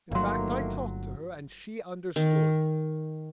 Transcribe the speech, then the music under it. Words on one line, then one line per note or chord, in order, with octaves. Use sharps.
In fact, I talked to her and she understood.
G1 D#3 F#3 A3 A#3 F5 C6
D#3